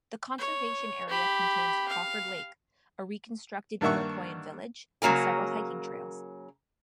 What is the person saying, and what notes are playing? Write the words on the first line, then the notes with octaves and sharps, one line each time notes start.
The conservation area contains Crawford Lake, a reconstructed Iroquoian village, and several hiking trails.
C#5
G4 B5
F5
G2 D#3 A#3 E5 F#5 C#6
C#3 F#3 A#3 A#4 G#5